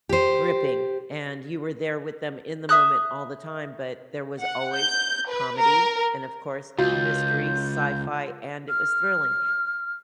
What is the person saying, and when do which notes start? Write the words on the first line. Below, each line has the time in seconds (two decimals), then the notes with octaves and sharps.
gripping, and you were there with them in the moment all the time, but there was always comedy, and of course, mystery, sci-fi, and it was thrilling,
0.09 G4 C5
2.69 E5 D#6 F#6
4.39 F#5
4.73 G6
5.28 B4
5.57 A#4
6.79 C#2 F4 F#4 G6
8.69 F6